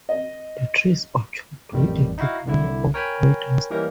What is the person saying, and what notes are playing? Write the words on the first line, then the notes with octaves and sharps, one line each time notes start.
The trees are choked with a thick layer of gray dust.
D#5
A1 F2 D#3 G3
D#4 E4 F#4 F5
C2 D3 E4
A#4 C#5 G5 G#5 B5
E3 G3 A#3 C#4 D#4 A#4